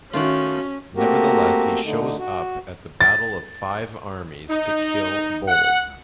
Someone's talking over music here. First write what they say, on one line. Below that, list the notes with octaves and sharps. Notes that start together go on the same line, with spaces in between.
Nevertheless, he still shows up at the Battle of Five Armies to kill Bolg.
D#3 A3 C#4 F4 F#4
A3 A#3 C4 F#4 G4 A#4
D3 A3 D#4
F#4
A6
D#4
F#5